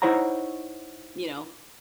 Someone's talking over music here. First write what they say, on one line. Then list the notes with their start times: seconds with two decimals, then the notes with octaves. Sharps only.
you know
0.02 D#4 E4 C5 C#5 F#5 A#5